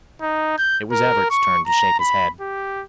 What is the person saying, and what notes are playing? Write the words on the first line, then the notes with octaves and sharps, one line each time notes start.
It was Everts' turn to shake his head.
D#4
G6
A#4
C#6
A#5
B5
G4